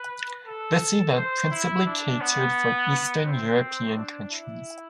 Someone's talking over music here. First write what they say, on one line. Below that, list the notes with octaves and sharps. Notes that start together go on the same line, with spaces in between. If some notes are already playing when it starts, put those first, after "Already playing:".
This event principally catered for Eastern European countries.
Already playing: B4
A4
C5
E4
D4
B3
C4
D4
E4